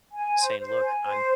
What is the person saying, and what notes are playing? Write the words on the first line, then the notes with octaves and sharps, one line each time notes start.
saying, "Look, I'm
G#5
C5
C5
G#5
C5